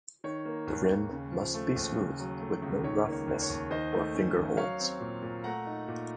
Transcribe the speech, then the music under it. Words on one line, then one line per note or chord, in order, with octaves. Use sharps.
The rim must be smooth, with no roughness or finger holds.
D#3 C#5
A#3
D#2
D#2
C#3
F3
A3
D#2
C#3
F#3
A3
C#2
D#3 C#5
A#3
C#5
D#2
C#5
D#2
D#3 C5 D#5
A3
C#4
D#2
F#3 C#5 F5
C4
A#2
A#2
A3 F#5 A#5
D#4
A#2